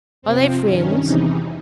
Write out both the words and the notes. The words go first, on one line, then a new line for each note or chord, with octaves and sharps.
"Are they friends?"
F2 C3 F3 C4
G2 D#3 C#4
E2 C3 E3 D#4